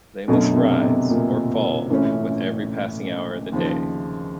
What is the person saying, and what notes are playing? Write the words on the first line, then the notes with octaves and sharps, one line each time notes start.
They must rise or fall with every passing hour of the day.
G1 F#2 B2 D3 F#3 A3
C3
B2
A#2
A1 A2 E3 A3 C#4
D#2 C#3 F3